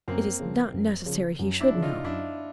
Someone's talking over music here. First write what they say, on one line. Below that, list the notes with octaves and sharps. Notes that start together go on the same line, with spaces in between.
It is not necessary he should know.
F#2 A#3 C4
C#3 F3
F#2
C#3 F3
F#2
D4 E4
C#3 F3
D#4 F4
F#2 D4 E4